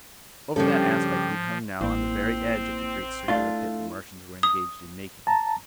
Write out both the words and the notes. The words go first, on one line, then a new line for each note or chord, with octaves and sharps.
Over that aspect we hung now on the very edge of the great circular pit the Martians were engaged in making.
G2 C#3 F3 C#4 D4 G4 A4
A1 A#3 C4 E4
A3 D4 E4 F4
D#6
A5 A#5